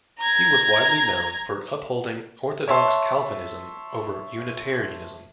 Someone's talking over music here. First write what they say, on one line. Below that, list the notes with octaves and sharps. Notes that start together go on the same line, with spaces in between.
He was widely known for upholding orthodox Calvinism over Unitarianism.
A#5 G#6
C#5 E5 A5 C6